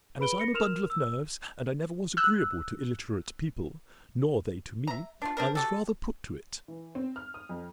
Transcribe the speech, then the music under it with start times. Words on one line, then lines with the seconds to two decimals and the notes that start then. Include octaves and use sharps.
And as I'm a bundle of nerves, and I never was agreeable to illiterate people, nor they to me, I was rather put to it.
0.19 G#4 B4 B5 D7 G7
0.39 A#6 C#7
0.54 A#4 C6 F6 E7 F7
0.90 E6
2.17 E6 F#6
4.87 E5 A#5
5.22 D4 F4
5.37 C4 D4 A#4
5.55 F#3 G4 A4
6.68 E3
6.95 C4
7.16 F6
7.34 D#6
7.49 F2